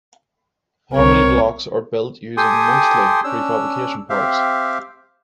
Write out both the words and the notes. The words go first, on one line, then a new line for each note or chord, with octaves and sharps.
Harmony blocks are built using mostly prefabrication parts.
C2 C4 A#4 C#5
G4 A4 G5 G#5 C6 D#6
C#4 D4 E6
C4 G4 E5 F5